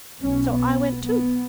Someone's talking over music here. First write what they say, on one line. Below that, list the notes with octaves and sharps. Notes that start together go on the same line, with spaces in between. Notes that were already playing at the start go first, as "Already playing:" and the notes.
So I went too.
B1 B2 C#4
B3
B3